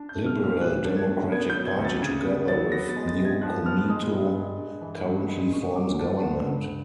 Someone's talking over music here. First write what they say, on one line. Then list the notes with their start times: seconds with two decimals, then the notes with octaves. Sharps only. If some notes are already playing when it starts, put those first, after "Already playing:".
Liberal Democratic Party together with New Komeito currently forms government.
Already playing: D4
0.09 G6
0.15 A3
0.26 F6
0.38 A#2
0.44 F6
0.61 F#3 F#6
0.85 D4
0.97 G#6
1.08 A3
1.32 B3 G#6
1.50 G6
1.55 F#3
1.67 G#6
1.78 D2
1.85 A6
2.02 C#3 G#6
2.25 B3
2.48 F#3 A6
2.72 B3 A#6
2.89 A6
2.96 G#3
3.08 A6
3.19 C3
3.25 G#6
3.42 F3 F#6
3.65 B3 F6
3.88 G#3 D#6
4.12 G2
4.36 G#3
4.59 G2
4.82 E3
5.06 G2
5.28 G#3
5.52 G2 C#6
5.76 F#3 D6
5.99 G2 A5
6.22 D3 F#5
6.46 G2